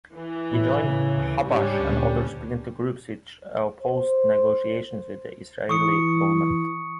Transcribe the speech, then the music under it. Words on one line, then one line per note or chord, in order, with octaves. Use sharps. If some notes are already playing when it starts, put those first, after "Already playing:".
He joined Habash and other splinter groups which opposed negotiations with the Israeli government.
E3
A2 E4
A2 C#3
D2
G#2 G3 C#4 D4
D2 A#2
C5
E3 C#6 D#6 C#7